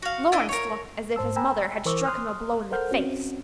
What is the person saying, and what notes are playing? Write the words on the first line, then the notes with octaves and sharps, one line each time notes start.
Lawrence looked as if his mother had struck him a blow in the face.
F#4 F5
D4 E4 D#5
A#4 C#5
G#2 C5 A5 E6
G5 G#5 A#5 B5 E6
E3 A#4 C5 C#6 D6 E6
C6 D#6 F6 F#6
A4 A#4 C5 F#5 F6 G6
C4 C#4 F#4